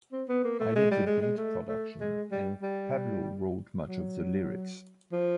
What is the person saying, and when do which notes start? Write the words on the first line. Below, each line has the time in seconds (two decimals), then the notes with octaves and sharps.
I did the beat production and Pablo wrote much of the lyrics.
0.12 C4
0.28 B3
0.44 A#3
0.60 A3
0.76 G#3
0.91 G3
1.07 G#3
1.22 G#3
1.38 A3
1.69 A3
2.00 G#3
2.31 G3
2.62 G3
3.87 F#3
5.12 F3